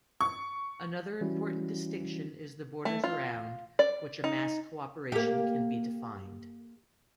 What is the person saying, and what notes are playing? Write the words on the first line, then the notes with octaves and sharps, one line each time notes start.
Another important distinction is the borders around which a mass cooperation can be defined.
C#6
E3 G3 C#4 E4 F#4
A3
F4
D5
D#4
A#3 G4